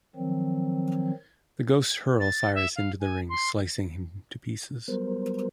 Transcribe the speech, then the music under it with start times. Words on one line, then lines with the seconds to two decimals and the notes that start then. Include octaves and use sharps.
The ghosts hurl Cyrus into the rings, slicing him to pieces.
0.16 D#3 F3 F#3 C4
2.20 A6
2.55 E5
2.76 F5
3.00 G#5
3.29 C6
4.88 F#3 G3 B3 A#4 C5